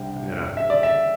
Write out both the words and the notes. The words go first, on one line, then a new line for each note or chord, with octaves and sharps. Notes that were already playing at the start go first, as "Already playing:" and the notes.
you know?
Already playing: C2 C3 G3 D4 G5
E5
D5
E5